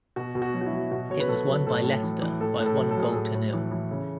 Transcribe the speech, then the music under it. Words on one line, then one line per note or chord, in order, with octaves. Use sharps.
It was won by Leicester by one goal to nil.
B2 F#4
B2
F#4
F#3
F#4
E4
F#3
B2 F#4
B2 C#5
B4
F#3 A4
F#3
A2 A4
A2
E3
E3
A2 A4
A2
A4
F#3
A4
F#3 G#4
A2 A4
A2
E3
E3
C#3